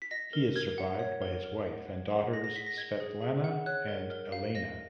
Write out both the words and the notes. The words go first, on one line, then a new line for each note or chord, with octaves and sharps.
He is survived by his wife and daughters Svetlana and Elena.
B6
D#5 A#6
A#4
A#4 G#6
F#5
C#5
A#4
A#4
F#5
C#5
G#4
G#4 A#6
A#6
F#5 B6
A#6
D#5 G#6
G#4
G#4
F#5
C#5 F#6
A#4
A#4
F5
D#5 A#6